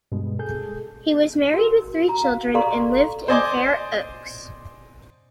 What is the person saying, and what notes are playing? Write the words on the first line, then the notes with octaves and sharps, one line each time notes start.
He was married with three children, and lived in Fair Oaks.
G2 B2 G#3
G#4 A4 G6
F#4 A#4
F#4 A#5
F5
A4 D5 F5 A#5 C6 C#6
C5 D5 D#5 G#5 C6 D6